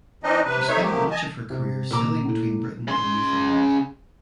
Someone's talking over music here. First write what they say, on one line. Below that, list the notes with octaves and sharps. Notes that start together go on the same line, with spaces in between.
She spent much of her career sailing between Britain and Newfoundland.
E3 C4 D4 D#4 D#5
C3 B4
A3 C4 D#4 C#5 E5
F3 F#3 A3 A#3 G4
D#5 G#5 A5
C3
A#2 A#5 D6 E6
A2
C#3 C6